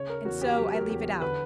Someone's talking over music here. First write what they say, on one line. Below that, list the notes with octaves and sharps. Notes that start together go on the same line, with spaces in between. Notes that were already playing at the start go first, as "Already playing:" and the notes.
And so I leave it out.
Already playing: C#3 C#5
A#4
E2 F#4
G4
F#3 G4
A#4
E2 G4
D3 B4